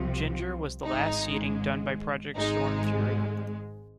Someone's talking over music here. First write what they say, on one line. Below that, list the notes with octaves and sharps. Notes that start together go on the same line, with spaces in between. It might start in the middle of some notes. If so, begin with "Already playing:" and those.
Ginger was the last seeding done by Project Stormfury.
Already playing: C2 C3 F3
G#1 G#2 G#3 D#4
G#1 G#2 G#3 D#4